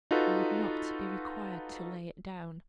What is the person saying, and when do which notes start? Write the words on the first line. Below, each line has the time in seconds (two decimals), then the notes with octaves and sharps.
'You would not be required to lay it down.'
0.11 D#4 F4 F#4 A4 B4